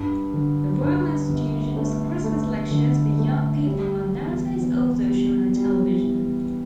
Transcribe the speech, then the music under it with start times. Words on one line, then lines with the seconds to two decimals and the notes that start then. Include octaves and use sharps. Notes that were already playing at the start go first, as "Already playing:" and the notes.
The Royal Institution's Christmas Lectures for young people are nowadays also shown on television.
Already playing: G2
0.34 D3
0.81 G2
1.29 G1
1.76 A3
2.24 A3
2.71 D3
3.18 A3
3.66 G3
4.14 E2
4.61 E2
5.08 G3
5.56 G3
6.03 E3